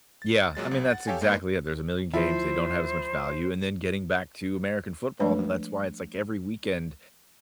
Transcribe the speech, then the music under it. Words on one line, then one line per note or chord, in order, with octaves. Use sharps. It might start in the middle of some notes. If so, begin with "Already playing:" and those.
Yeah. I mean, that's exactly it, there's a million games, they don't have as much value, and then getting back to American football, that's why it's like every weekend
A6
A#2 F#3 G#3 A6
B1
F#5 A6
G4 A4 C#5 F5 G5 G#5
G#3 A#3 D#4 G#4 B4
F3 E4 C5
F3 G#3 A3 D4 B4 C#5